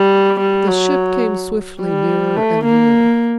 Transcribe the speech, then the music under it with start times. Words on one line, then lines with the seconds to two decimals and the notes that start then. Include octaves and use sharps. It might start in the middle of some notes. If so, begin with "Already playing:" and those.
The ship came swiftly nearer and nearer.
Already playing: G3
0.40 G3
0.68 F#3
1.80 G3
2.36 A3
2.64 A#3